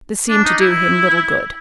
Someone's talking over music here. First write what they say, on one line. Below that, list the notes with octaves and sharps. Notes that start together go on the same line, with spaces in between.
This seemed to do him little good.
D4
D#4
E4